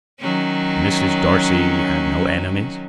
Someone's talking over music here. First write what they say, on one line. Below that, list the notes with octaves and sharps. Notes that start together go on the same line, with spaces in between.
"Mrs. Darcy had no enemies?"
D#3 F#3 C#4